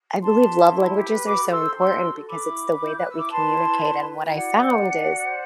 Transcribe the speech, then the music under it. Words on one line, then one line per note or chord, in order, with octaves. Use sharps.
I believe love languages are so important because it's the way that we communicate, and what I found is
G4 A5 C6
B4
E4
E4
G4
B4
F#4 B5 D6
A4
C6 E6
C5
D4 C6 E6
F#4
A4
B4 B5 D6
E4
B4
E4 G6
B4 F#6
E6
E4
D6
B4 A5 C6
E4
B4
E4
B4
E4
F#4 D5 F#5
C5
D4
D4
F#4
C5